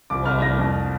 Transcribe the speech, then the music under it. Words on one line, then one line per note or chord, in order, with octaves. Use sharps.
"Who are you?"
C2 D6
C2 F6
C2 A#6
F2